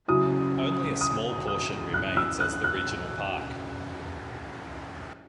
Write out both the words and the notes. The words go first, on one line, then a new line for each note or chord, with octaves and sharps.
Only a small portion remains as the regional park.
C#3 F#3 C#4 E4 D#6
D#6
D#6
F#6
E6
F#6
F#6